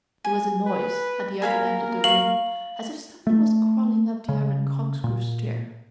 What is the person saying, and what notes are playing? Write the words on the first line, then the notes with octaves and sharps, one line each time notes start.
There was a noise at the other end of the room, as if something was crawling up the iron corkscrew stair.
G#5
B4
A#3 G#4 A#4 F5 B5
F5 C#6 F#7
A3
C#3
A#2